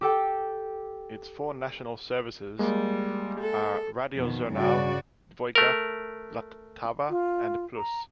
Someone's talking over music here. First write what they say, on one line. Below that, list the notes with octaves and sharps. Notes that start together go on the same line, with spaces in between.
Its four national services are Radiožurnál, Dvojka, Vltava and Plus.
G4 A4 G5
G3 G#3 A#3
A4
F2 B2 D#3
G2 C#3 F#4 D5
A3 A#4
F4
A#5